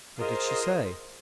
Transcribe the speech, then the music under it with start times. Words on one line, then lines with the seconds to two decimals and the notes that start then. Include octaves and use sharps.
"What did she say?"
0.19 F4 G#4 A#4 C5 D#5